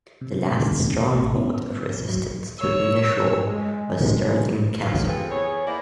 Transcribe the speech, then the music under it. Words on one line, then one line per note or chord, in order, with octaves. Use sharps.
The last stronghold of resistance to English rule was Stirling Castle.
C3
A1 A3
B3 C#4 E4
F#3
C#5 E6
G#3
A2 F#3 B3 F4
C3 F3 C4 G#4 A4 B4
E2 B3 G#4 C#5
A#3 E4 C5 D5